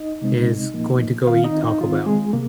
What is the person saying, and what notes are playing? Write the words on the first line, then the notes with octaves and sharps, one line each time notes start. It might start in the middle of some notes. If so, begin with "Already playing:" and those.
is going to go eat Taco Bell.
Already playing: D#4 D#5
C3 G#3 C4
A#2 F3 A#3
D#3 C4 F4 F5
D#4 D#5
D#4
D#3 C4 F4
G#3 G#4
C3 A#3